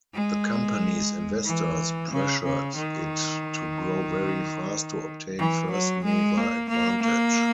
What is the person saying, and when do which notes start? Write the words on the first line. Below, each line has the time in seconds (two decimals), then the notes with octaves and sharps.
The company's investors pressured it to grow very fast to obtain first-mover advantage.
0.14 G#3
1.45 E3
2.11 C#3
2.44 C#3
2.76 D#3
5.38 E3
5.72 F#3
6.04 G#3
6.37 A#3
6.70 A#3
7.03 A#3